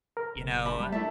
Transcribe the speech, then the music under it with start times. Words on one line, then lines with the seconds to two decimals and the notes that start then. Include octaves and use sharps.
you know,
0.17 A#4
0.36 F#1
0.66 A5 B5
0.80 G3
0.92 A3 D4 E4 E5 A5